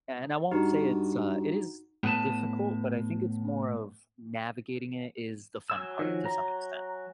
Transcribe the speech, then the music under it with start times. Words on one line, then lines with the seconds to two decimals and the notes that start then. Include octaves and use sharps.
and I won't say it's, uh it is difficult, but I think it's more of navigating it is the fun part, to some extent.
0.51 G2 D#4 F#4
2.03 A2 B3 B4 A5
5.70 F#3 G#5 E6
5.99 D#3 F3
6.25 A#5